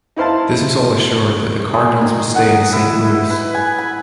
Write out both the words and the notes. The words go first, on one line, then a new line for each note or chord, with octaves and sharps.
This all but assured that the Cardinals would stay in Saint Louis.
D#4 E4 C5 F5 A5
G#4
D#3
F#5
E4
B4
G#5
B5